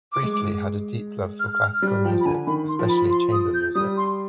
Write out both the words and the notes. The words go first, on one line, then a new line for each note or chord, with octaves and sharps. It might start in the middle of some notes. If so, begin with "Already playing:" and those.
Priestley had a deep love for classical music especially chamber music.
D6
G#3
D6
F6
F6
G3 F6
F3 G5
B5
D3 G#5
D#3 B5
C6
F3
B5
C6
D#6
G6
G3 D#6
C6